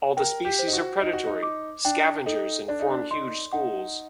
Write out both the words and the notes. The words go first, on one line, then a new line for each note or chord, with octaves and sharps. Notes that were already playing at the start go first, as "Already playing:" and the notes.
All the species are predatory, scavengers and form huge schools.
A#4 G5
G4
C5
D#4
F#4
D#4 D#5
F#4
D#4
D6
D4 G5
D#4 A4
D4 D5
D#4
D4
D#4 C6
D#4 F#5